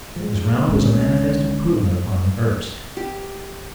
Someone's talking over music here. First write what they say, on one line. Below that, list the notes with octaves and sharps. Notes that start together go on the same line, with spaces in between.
This round was a manifest improvement upon the first.
F3 G#3
C2 G#3 C#4
G4